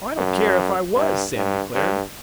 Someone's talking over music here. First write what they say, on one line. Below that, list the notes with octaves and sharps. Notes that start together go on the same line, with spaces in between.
"I don't care if I was," Sam declared.
F#2
G2
G2
G2